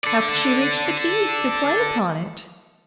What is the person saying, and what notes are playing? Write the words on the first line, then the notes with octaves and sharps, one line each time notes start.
How could she reach the keys to play upon it?
A4 D5